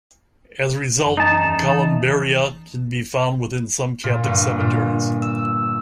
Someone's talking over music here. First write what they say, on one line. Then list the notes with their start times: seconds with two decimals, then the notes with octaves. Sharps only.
As a result, columbaria can be found within some Catholic cemeteries.
1.02 F#2 E3
1.17 D#4 A5
1.42 E2 E3
4.04 A#2
4.23 G1
4.60 A#2
5.22 E6